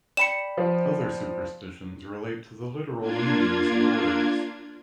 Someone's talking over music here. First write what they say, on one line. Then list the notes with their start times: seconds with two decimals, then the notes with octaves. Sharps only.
Other superstitions relate to the literal meanings of words.
0.17 D5 G5 B5 C#7 E7
0.57 F3
3.00 A#3 D4 F4 G#6